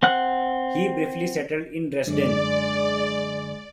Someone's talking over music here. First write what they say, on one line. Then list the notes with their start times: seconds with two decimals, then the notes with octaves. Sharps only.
He briefly settled in Dresden.
0.03 C4 F#5 F#6
2.07 F#2 D3 G#3 D5